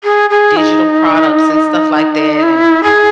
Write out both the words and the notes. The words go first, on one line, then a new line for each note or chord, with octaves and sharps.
digital products and stuff like that, and
G#4
G#4
D#4
E4
G#4